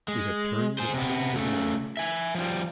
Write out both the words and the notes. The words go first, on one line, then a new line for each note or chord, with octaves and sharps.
"We have turned and turned again."
G#3
G#4 C5
C3 B3
C#3 A3
E5 G#5
F3 G3